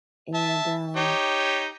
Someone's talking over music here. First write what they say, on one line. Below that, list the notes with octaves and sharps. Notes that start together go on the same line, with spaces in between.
And, um
E5 A5
D#4 G4 C#5